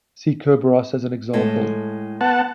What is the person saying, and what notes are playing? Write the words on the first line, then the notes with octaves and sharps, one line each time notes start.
See Kerberos as an example.
A2 G#3 A4
B3 F#5 A5